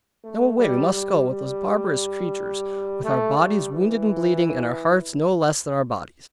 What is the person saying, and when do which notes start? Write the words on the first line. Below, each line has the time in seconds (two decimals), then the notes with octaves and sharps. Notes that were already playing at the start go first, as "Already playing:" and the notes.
Now away we must go with those barbarous creatures, with our bodies wounded and bleeding, and our hearts no less than our bodies.
0.24 A3
0.59 G3
0.94 G3
1.29 G3
3.04 A3
3.39 G3
3.73 E3